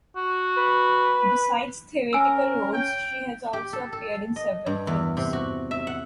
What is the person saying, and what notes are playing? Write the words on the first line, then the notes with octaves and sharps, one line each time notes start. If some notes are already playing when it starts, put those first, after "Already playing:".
Besides theatrical roles she has also appeared in several films.
F#4
B4
C#4 A#4 G#5 E6
G5
G4
A4
A4
D#5
G2
E2
C3
F#4
E5
F#5